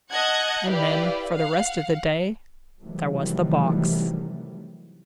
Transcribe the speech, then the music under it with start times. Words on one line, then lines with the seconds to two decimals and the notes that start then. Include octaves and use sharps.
And then, for the rest of the day, there was the box!
0.12 D#5 F#5 A5 F#6 G#6
0.69 E4 G4 B4 D5 F5
1.32 F5 F#5
2.82 C3 D#3 E3 F#3 G3 A3